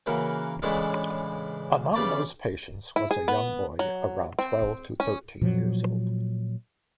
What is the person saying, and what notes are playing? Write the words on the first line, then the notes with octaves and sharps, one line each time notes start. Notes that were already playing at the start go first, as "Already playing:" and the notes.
Among those patients was a young boy around twelve to thirteen years-old.
C#3 E3 A#3 F#4
A2 C#3 E3 G#3 D4 E4
E2 C#3 G4 D5 A5 B5
E4
G#4
B3
F#3
C4
C#4
A#2 F3 F#3